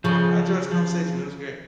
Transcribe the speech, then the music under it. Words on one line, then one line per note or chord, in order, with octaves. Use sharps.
Right. I enjoyed this conversation, it was great.
C#3 F3
F3